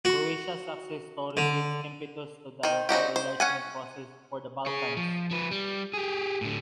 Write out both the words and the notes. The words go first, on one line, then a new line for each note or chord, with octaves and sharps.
Croatia's success story gives impetus to the entire enlargement process for the Balkans.
F#4
D3
D#3 C5
C4 D#4 F#4 G4
C5
C#4 F#5 G#5
G#4 C#5
F3
F3 B4
G3
G4 G#4
A2 D3